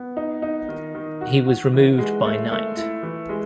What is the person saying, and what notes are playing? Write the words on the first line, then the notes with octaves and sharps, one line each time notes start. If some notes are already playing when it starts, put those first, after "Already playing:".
He was removed by night.
Already playing: B3
D#4
D#4
D#3
D#3
F#4
F#4
E3
G#3
A3
A3
E4
E3
G#3